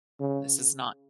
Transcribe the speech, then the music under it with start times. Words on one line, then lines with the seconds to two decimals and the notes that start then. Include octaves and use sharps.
This is not
0.20 C#3